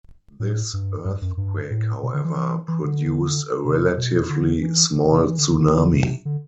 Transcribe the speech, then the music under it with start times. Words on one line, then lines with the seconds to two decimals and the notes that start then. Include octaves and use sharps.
This earthquake, however, produced a relatively small tsunami.
0.40 A2
0.73 G2
1.05 G2
1.22 F#2
1.37 G2
1.70 A2
2.03 B2
2.14 D3
2.24 E3
2.36 E3
2.68 E3
2.84 D3
3.65 C3
3.97 B2
4.30 D3
4.62 E3
4.96 D3
5.11 C3
5.28 E3
5.38 D3
5.49 D3
5.60 D3
5.77 D3
5.93 C3
6.25 D3